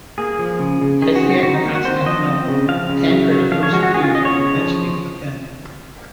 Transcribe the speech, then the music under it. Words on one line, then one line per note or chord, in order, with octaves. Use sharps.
As he had in Constantinople, Tancred at first refused, but he eventually gave in.
A#3 G#4
F3
C#3
C#3
D#3 G#4
F#4
C4
F#4
D#3 F#4
D#4
A#3
F#4
C4 C5
F3 D#5
C4
C#3
F3 F5
C#3
F#3
F#3
F3 F5
C#5
G#3 F#4
F#4
C#4 G#4
F4
C#4 D#5
C#5
C#3
F3